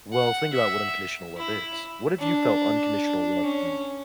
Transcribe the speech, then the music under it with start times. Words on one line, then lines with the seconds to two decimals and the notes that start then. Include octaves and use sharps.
well, think about what unconditional love is. What if you felt unconditional love to
0.12 F#5
0.53 E5
1.37 E4
2.19 D4
3.43 C#4